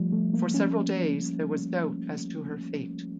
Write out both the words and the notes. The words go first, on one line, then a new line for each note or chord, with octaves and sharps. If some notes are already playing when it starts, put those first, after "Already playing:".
For several days there was doubt as to her fate.
Already playing: F3 G3 A3
A3
A#3
C#4